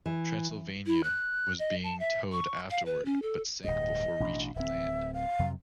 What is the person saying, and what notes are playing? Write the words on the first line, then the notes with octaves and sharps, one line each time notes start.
"Transylvania" was being towed afterward but sank before reaching land.
E3
E4
F#6
D#5
A5
E5
C#6
F5
B4
C#4
A4
D1 G2 D#5
A1 B2 D4
D1 C4 E5
F5
F2 C3 F#3